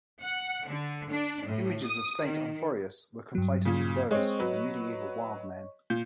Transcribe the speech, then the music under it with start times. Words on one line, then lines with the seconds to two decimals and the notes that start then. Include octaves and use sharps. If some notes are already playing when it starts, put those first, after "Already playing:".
Images of Saint Onuphrius were conflated with those of the medieval "wild man".
0.24 F#5
0.68 D3
1.12 D4
1.46 A2
1.84 D#6
2.24 D#3
3.35 G2 F#3
3.65 A#2 C#3
4.11 G#3 C4 C#5 D#5 C#6
4.39 F#3 B4
5.90 A#2 G6